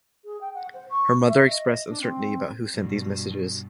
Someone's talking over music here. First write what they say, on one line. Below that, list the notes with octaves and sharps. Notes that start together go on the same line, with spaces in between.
Her mother expressed uncertainty about who sent these messages.
G#4
G5
F#5
C5
C#6
E5
D#5
D4
C4
G2 B2